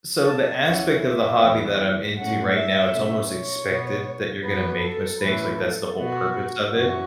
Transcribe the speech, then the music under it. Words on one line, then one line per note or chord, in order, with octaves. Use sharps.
so the aspect of the hobby that I'm into right now, it's almost expected that you're gonna make mistakes, like, that's the whole purpose of it,
A5
E2 E3 C#4 F#5
E5
E2 E3 B3
A2 A3 C#4 F#5
E5
B2 A3 C#4
C#5
B2 B3
F#2 F#3 B3 B4
A4
A2 E3 C#4 B4
A4
B2 B3 F#4
F#2 E3 C#4 F#4